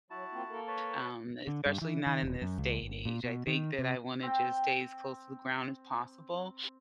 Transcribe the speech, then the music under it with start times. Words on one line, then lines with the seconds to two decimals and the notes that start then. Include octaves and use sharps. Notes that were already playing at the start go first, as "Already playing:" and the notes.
um, especially not in this day and age, I think that I wanna just stay as close to the ground as possible,
0.10 F#3 E4 F#4 A5
0.32 A#3 C4 F4
0.50 A#3 A4 A#4
0.67 B4 C#5 A5
1.47 D3
1.66 G2
1.82 E3
2.06 D#3
2.23 D#1
2.42 F#2
2.58 C#2
2.82 G1
3.05 A#2
3.24 B2
3.47 D#3
3.79 C3
4.23 C4 G5